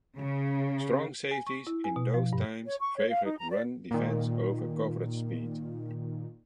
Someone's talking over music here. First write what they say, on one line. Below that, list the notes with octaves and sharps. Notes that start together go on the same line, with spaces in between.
Strong safeties in those times favored run defense over coverage speed.
C#3
G#5
C#6
E4
G#5
B2
F3
G2
C#5
C#6
C#5
F5
D#4
A#5
D5
A#2 D#3